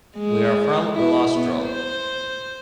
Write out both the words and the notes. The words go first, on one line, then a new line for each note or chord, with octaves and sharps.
We are from Ullastrell.
G#3
E4
B3
C5